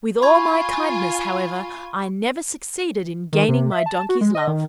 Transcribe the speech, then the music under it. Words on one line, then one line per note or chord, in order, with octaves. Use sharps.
With all my kindness, however, I never succeeded in gaining my Donkey's love.
F4 G#5 B5 C#6 G#6
D#3
C3
E5
A5
F#4
G#3
D#5
D#3